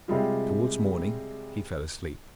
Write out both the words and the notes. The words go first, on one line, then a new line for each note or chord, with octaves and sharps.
Towards morning he fell asleep.
C3 G3 G#3 F4